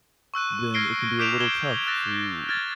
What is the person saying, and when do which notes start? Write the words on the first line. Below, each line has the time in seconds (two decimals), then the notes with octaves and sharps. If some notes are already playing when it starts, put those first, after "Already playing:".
then it can be a little tough to
0.34 C#6 E6 F#6 D#7
0.74 F6 G#6 A#6 C7 D7 G7
1.19 D6 G6 B6 D7 E7 F7
1.40 G#6 E7 F#7 G7
1.87 E6 F#6 A6 A#6
2.49 F6 G#6 A6